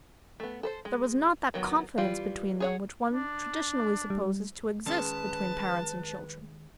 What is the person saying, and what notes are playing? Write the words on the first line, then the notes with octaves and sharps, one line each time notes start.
There was not that confidence between them which one traditionally supposes to exist between parents and children.
A3 B3
A4 B4 C5
G#3
D#3 F#3 B3
E3 G3 F4
G#4 C#5 F#5
D4
G3
D#3 G#3 C#4 B4 A5